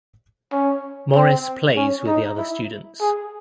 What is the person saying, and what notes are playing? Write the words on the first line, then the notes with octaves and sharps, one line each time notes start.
Morris plays with the other students.
C#4
C4
C#4
D#4
E4
G#4